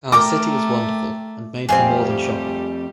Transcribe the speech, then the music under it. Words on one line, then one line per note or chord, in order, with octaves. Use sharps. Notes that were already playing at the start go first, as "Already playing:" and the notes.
Our city is wonderful and made for more than shopping.
A3 A#4 G5 A#5 D6
F2 G3 A3 C4 G4 G#4 F5